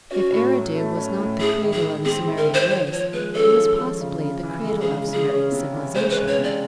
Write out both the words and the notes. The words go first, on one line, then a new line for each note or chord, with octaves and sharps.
If Eridu was not the "cradle" of the Sumerian race, it was possibly the cradle of Sumerian civilization.
C#4 F#4
A2
F#3
A3
C#4
A2
E4 G#4
D#3
G#4
G#3
C4 G#4
E4
A#4
D#3
C5
F3 C#5
C5
F3 C#5
G#3 B4
C#4 A4
F3
F3
C#3
C#3
E3
G#3 A4
G#4
C#3
C#3
G#4
C#4
C3
E3
G#3 C5
B4
C#4
C#5
C3
D5